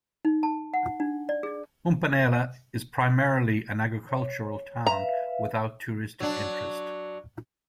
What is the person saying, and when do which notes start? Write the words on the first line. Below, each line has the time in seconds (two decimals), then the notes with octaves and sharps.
Mponela is primarily an agricultural town without touristic interest.
0.25 D#4
0.43 A5
0.74 F#5
1.00 D4
1.29 D5
1.43 G#4
4.09 C#5
4.86 B4 E5 F5 A#5
6.20 F#3 D4